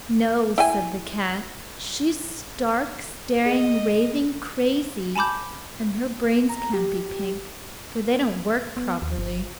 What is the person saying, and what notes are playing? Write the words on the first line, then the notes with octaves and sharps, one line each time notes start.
"No," said the cat; "she's stark, staring, raving crazy, and her brains can't be pink, for they don't work properly."
E4 G5 G#5
G#4 D#5
G#5 A5 B5 D6 G6
A#5
G4
B3
D#2
G1